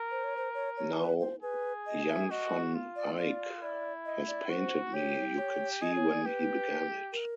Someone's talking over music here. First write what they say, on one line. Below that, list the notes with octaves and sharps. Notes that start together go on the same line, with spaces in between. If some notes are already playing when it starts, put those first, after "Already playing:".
Now Jan van Eyck has painted me, you can see when he began it.
Already playing: A#4
C5
C#5
C5
C#5
C#5
B4
C5
G#4 B4
D#5
E5
F#4 D#5
F4
D5
D5
E4 D5
D#5
D5
F#4 C5
G4 C#5
C#5
G#4 D#5
C#5
D5
G4 B4
A#4